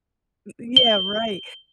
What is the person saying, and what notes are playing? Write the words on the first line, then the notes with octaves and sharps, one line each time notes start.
yeah, right.
G7